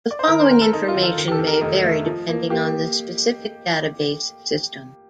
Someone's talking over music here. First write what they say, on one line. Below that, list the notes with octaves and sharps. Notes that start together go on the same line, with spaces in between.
The following information may vary depending on the specific database system.
D5
C5
D#3 A#4
C5
D#3 A#4
A4
D#4 A4
F4
D#3
A4
D#3
G4
A4
D#3
A#4
F1 D#5
A3
F3
A#3
A#3 G4